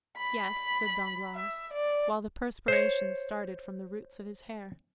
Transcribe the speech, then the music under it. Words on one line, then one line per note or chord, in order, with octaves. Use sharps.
"Yes," said Danglars, while the perspiration started from the roots of his hair.
B5
E5
D5
C5 C#5